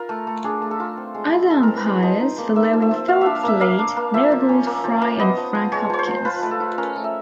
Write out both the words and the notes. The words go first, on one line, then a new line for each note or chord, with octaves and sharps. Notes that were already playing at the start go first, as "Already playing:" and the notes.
Other umpires, following Phillips' lead, no-balled Fry and Frank Hopkins.
Already playing: F4 A#4
A3
A3
D4 G#4
A3
A4
F4
C4
G#3
E4
G#3 A4
C4 A#4
B4
G#3 C5
F3 D#5
D#4
A#3
A#3 E5
F3
E5
F3
F4 F5
D4 E5
F5
A#3 E5
A#3 F5
D4
A#3
F3 E5
F3
C#4
A#3
F3
A#3
B3 D#5
F3
F3
G#3 C#5
F3 C#5
C5
F3
F4 B4
A3
A4
F4
C#4 A#4
A3
E5